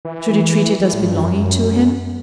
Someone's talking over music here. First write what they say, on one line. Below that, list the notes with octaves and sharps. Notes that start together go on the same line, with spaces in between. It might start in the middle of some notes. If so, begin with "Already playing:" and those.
Should he treat it as belonging to him?
E3
E3
A2
G2
F#2